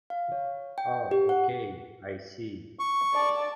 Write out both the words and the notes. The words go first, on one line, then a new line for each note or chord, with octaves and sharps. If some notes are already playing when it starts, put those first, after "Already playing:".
Oh okay, I see.
F5
C#5
G5
G4
F#5
C#6
D5 A5